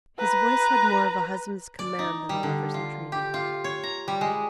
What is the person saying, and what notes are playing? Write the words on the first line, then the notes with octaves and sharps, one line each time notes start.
His voice had more of a husband's command than a lover's entreaty.
B4 A#5
D5
D#4
G3
D3
F4
G4
F4
C#5
A#5
G3
G#3